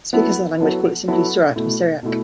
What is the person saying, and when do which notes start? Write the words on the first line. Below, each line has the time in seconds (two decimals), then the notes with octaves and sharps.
Speakers of the language call it simply "Surat", or 'Syriac'.
0.13 F#3 B3 E4 A4
0.60 F#3 B3 E4 A4
1.08 F#3 B3 E4 A4
1.56 B2 A3 E4
2.03 B2 A3 E4